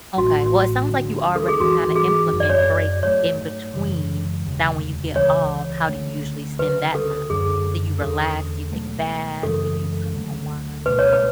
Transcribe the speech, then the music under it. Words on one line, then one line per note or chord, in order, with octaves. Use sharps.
Okay. Well, it sounds like you already kinda implement breaks in between. Now when you get off, how do you usually spend that time? Do you relax? Do you take a bath? Do you kinda unwind?
A1 A2 F#3 A3 F#4
D2 D3 G#3 C#4
A4
G#4
G#2 E3 B3 D4 F#4
G#4
F#1 F#2 C#3 F#3
D5
C#5
D5
G#2 F#3 A3 C#5
F#2 C#3 E3 G#3
E1 D2 C#3 G#3
C#2 C#3 E3 G#3 C#5
D2 D3 A3 C#4
D2 C#3 F#3 C#4 B4
A4
F#2 D3 G#3 C#4 G#4
E2 D3 G#3 C#4 A4
C#2 B2 F#3 A3
F#2 C#3 E3 G#3 A4
D2 D3 F#3 A3
C#2 B2 A3 B4
C#5
B4